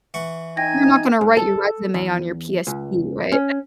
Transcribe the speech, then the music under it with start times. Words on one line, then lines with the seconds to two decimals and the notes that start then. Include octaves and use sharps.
You're not gonna write your resume on your PSP, right?
0.14 E3 F#5 C#6
0.57 D#4 G5 G#5 A#6
1.21 G#2
1.37 A4
1.94 E2
2.67 C#2
3.32 C#4